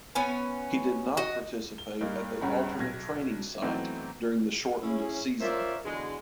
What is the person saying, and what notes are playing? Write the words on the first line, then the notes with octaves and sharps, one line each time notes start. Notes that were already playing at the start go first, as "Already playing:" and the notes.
He did not participate at the alternate training site during the shortened season.
B3 C#4 G#5
F#4 D#5
G7
G2 A#3 D#4
C#2 G2 C#4 F#5 A#5 B5
B1 G#6 A#6
E3 F#3 A3 B3 C4 D#4
C#4 E4 G#4
C#4 F4 A#4 C5 D5 E5
B2 D3 E3 G#3